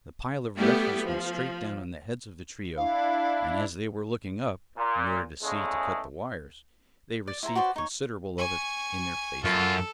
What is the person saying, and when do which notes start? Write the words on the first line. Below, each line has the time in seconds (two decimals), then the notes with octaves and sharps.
The pile of refuse went straight down on the heads of the trio, and, as they were looking up, in order to see to cut the wires, they received considerable of it in their faces.
0.55 G3 A3 B3 E4 G4
1.03 F3
2.77 D4 E4 F5
4.77 A#2
5.43 E2 C#3 G#3 A3
7.28 D5
7.43 E4 C5 G#5 A#5
7.55 F#4 B4 C5 D5
7.76 D#4 C#5
8.38 G#5 C#6
9.44 F#2 F4 A4